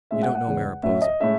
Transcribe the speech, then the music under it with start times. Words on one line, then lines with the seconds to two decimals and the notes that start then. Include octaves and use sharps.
You don't know Mariposa.
0.11 A2 G#3 C#4 E5
0.23 F#5
0.35 F#5
0.47 E2 C#3 G#3
0.83 A2 F#3 C#4 E5
1.02 D#5
1.20 A2 G#3 C#4 E5